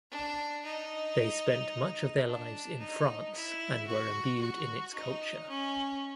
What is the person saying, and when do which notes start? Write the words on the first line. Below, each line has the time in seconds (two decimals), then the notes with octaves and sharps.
They spent much of their lives in France and were imbued in its culture.
0.11 D4
0.65 D#4
2.26 D4
2.79 D#4
3.34 E4
3.87 F#4
4.41 F#4
4.94 D#4
5.48 C#4